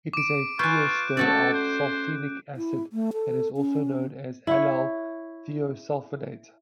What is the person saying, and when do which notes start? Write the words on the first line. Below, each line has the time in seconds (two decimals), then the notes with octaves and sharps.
It is a thioester of sulfenic acid and is also known as allyl thiosulfinate.
0.13 D6 D7
0.59 F4 B4 G#5 C#6 F#6 G6
1.17 A3 C#4 F#4 A4 D5
1.54 C5
2.57 E4
2.93 A3
3.13 A4
3.57 C#4
4.47 E4 C#5